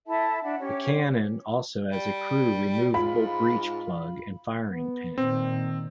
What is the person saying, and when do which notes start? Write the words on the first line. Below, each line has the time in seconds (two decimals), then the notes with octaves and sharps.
The cannon also has a crew-removable breech plug and firing pin.
0.06 E4 A4 E5 A5
0.43 D4 E5 F#5
0.59 C#4 G4 C#5
1.92 G3
2.94 G#2 F4 B5
4.68 B3
5.18 A#2 D#3 C4